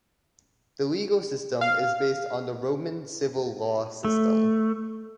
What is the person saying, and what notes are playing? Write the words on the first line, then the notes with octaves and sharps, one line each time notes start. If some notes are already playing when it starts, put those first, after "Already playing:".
The legal system is based on the Roman civil law system.
F5
A3